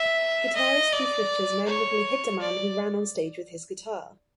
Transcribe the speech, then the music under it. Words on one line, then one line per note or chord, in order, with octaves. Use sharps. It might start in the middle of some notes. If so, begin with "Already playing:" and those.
Guitarist Keith Richards memorably hit a man who ran onstage with his guitar.
Already playing: E5
D#5
D5
C#5
D5